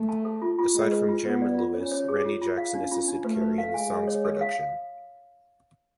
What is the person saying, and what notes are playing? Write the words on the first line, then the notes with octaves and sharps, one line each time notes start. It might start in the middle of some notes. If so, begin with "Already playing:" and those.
Aside from Jam and Lewis, Randy Jackson assisted Carey in the song's production.
Already playing: A3
A5
A4
F4
F4
G#3 F4
B4
F4
B3 B4
D5
F4
C#4 C#5
C#5
G#4
F4
F4
F5
C#4 D4
F4
D4
A3 B4
B4
F5
G#3 G#5
A4
C#5
A4
F5